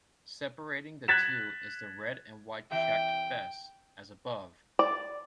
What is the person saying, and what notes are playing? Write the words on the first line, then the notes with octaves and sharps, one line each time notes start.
Separating the two is the red and white checked fess, as above.
F#6 G#6 A6 B6 E7
C3 E3 E5 G5
D5